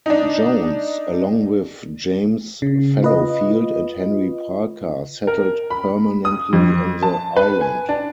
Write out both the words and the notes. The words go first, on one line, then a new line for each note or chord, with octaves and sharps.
Jones, along with James Fallowfield and Henry Parker, settled permanently on the island.
D4 D#4
C#3
F4 B4 D#5
A#4
B5
D#6
F2
A5
B4
G#5
D4